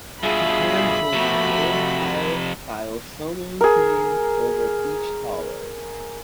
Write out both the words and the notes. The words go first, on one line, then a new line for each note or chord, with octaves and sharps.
A hand holding a nail file files someone 's nail over a peach towel.
G2 B2 F4 G#4 E5 B5
F2 C3 A3 F#4
G#4 A#4